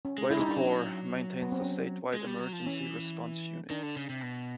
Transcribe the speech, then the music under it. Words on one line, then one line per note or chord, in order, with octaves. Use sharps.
RailCorp maintains a statewide Emergency Response Unit.
C#4
G#3
G#3 E4
D#4
G3 D4
F#3 C#4
B3
C4
C#4
G#3
G3
F#3
F3
E3 C#4
D#3 D4
D3
C#3
C3
B2